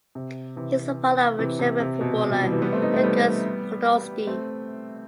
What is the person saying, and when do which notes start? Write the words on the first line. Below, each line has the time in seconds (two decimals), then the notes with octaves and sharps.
He is the father of German footballer Lukas Podolski.
0.15 C3
0.56 C3 E3
1.39 C3 E3
1.59 C3 E3
1.80 C3
2.01 B2
2.22 C3
2.32 B2
2.41 E3 G3
2.52 E3 G3
2.62 G3 B3
2.73 A3 C4
2.82 B3 D#4
2.94 A3 C4
3.03 G3 B3
4.27 A3 C4